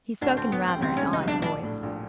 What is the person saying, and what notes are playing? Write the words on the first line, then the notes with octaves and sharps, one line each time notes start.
He spoke in rather an awed voice.
D2 D3 D4
C4
B3
C4
C#3
C2 C3 C4
C#4
C#2 C#3
C3 D#4
B1 B2 D4
A#1 A#2 D4
A2
A#1 A#2